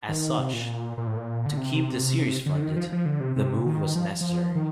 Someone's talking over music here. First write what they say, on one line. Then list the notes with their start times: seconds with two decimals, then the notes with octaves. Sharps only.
As such, to keep the series funded, the move was necessary.
0.09 D#3
0.38 C3
0.53 A#2
0.98 A#2
1.07 A2
1.17 A#2
1.46 D3
1.57 C3
2.46 D3
2.62 D#3
2.76 F3
2.92 F3
3.05 D3
3.21 C3
3.36 C3
3.66 D#3
3.95 F3
4.21 F3
4.55 D#3